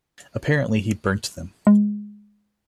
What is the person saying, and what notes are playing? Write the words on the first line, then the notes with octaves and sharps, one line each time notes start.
Apparently he burnt them.
G#3